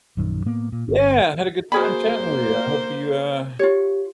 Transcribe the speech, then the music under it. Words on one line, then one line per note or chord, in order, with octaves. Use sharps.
Yeah, had a good time chatting with you, I hope you, uh,
A#1 F#2 D#3
A2 A#3 B3
A#2
G1
A#3 F#4 G#4 C5 B5
F4 G4 C#5